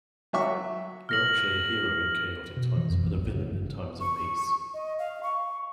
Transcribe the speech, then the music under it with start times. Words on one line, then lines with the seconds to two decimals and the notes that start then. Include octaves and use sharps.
You're actually a hero in chaotic times but a villain in times of peace.
0.33 F#3 E5 C#6
1.09 F6 A#6 F#7
2.57 B2
2.76 E3
2.89 F2
3.02 B1
3.16 A1
3.35 C#3
3.49 G1
4.01 C#6
4.74 D#5
4.99 F5
5.23 C#6